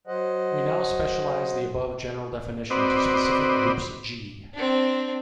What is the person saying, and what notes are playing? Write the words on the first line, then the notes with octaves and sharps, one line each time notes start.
We now specialize the above general definition to specific groups "G".
F#3 C5 D#5 F#5
C4 F#4 B4 C5 D5 D#5
C4 D4